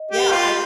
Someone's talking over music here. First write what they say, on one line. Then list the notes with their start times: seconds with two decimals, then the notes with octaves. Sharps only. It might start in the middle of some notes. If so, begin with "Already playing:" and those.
Yeah I've
Already playing: D#5
0.11 G4
0.32 F4